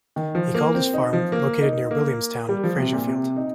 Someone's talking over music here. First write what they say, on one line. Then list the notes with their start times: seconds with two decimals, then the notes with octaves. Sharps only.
He called his farm, located near Williamstown, Fraserfield.
0.16 D#3
0.35 F3
0.54 A#3
0.74 C4
0.94 D#4
1.13 F3
1.32 A#3
1.61 D#4
1.91 A#3
2.49 G3
2.64 F3
2.78 C3
2.93 A#2
3.07 C3
3.37 D#4